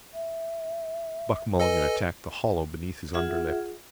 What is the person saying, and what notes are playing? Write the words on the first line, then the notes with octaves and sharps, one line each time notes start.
Buck Mulligan attacked the hollow beneath his underlip.
E5
A4 B4 D#5 G#5
F4 G#4 E5 F#5